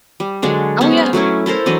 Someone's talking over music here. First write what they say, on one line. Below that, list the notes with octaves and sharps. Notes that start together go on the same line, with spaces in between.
Oh, yeah.
G3
D3 F#3 G#3 D4
B3 C#4 C5
F#3 A3 C#4 E4
E4 A4 A#4 C5
E3 F#3 D4 D#5